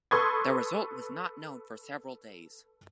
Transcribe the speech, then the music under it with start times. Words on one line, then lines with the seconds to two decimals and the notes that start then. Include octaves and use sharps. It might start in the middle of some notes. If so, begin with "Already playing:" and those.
The result was not known for several days.
0.11 A4 B4 C6 C#6 D#6 G#6